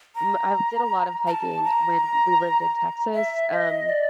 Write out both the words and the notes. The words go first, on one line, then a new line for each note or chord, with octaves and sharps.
m I did a lot of hiking when we lived in Texas, um,
A#5
A#5
A5
A#5
E5
D#5
D5